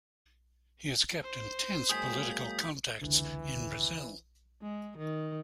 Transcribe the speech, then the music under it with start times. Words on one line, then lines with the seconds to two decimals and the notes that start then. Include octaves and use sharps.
He has kept intense political contacts in Brazil.
1.24 C5
1.89 F#3 G#3 A#3 G#4 G5 D#6 G6 B6
3.02 F1 C#2 D3 E3
4.62 G#3
4.97 D#3